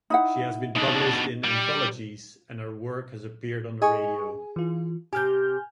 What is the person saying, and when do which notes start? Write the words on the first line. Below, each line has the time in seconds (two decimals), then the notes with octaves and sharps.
She has been published in anthologies and her work has appeared on the radio.
0.10 D#4 E4 F#5
0.76 B2 D4 D#4
1.44 G3
3.82 G#4 D#5 G#5 C#6
4.56 E3 F4
5.13 C3 G4 G#5 F6 G6